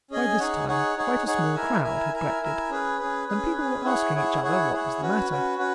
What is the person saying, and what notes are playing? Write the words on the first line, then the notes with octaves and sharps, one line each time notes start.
By this time, quite a small crowd had collected, and people were asking each other what was the matter.
C#4 G#4 D#5 G#5
D#4 G#4 C#5 F#5
D#4 G#4 C#5 F#5
D#4 G#4 C#5 F#5
D#4 G#4 C#5 F#5
E4 A#4 E5 G#5
E4 A#4 E5 G#5
E4 A#4 E5 G#5
E4 A#4 E5 G#5
C#4 G#4 B4
C#4 G#4 B4
C#4 G#4 B4
C#4 G#4 B4
E4 G#4 C#5 F#5
E4 G#4 C#5 F#5
E4 G#4 C#5 F#5
E4 G#4 C#5 F#5
C#4 F#4 B4
C#4 F#4 B4
C#4 F#4 B4